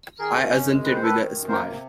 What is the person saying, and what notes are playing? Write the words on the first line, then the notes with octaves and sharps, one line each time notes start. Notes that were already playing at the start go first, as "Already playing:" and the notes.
I assented with a smile.
D#3 G#4 A#4
C#4
F#2
G#3
D#3 B4
C5
D#3 A4 B4
D#3
F#2
A#3 A#4 C5
C3